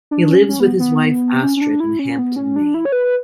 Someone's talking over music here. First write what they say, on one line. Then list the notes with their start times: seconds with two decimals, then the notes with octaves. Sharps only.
He lives with his wife Astrid in Hampden, Maine.
0.11 D4
0.31 C#4
0.49 C#4
0.60 B3
0.80 B3
1.43 C#4
1.57 C#4
1.61 D4
1.80 E4
1.99 C#4
2.18 B3
2.36 C#4
2.56 D4
2.74 E4
2.85 C#5
2.92 B4